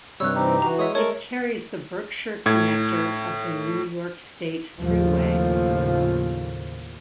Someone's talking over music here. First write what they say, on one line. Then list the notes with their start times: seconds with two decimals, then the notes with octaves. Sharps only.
It carries the Berkshire Connector of the New York State Thruway.
0.20 G2 C3 G3 C#5 E6 F#6
0.35 E3 C4 D#4 G4
0.62 E3 F#4 A#5
0.79 G#3 C#5 E5 D#6
0.95 A#4 C#5 A5 C#6
2.46 A2 G#6
4.79 D#2 A2 C#3 F3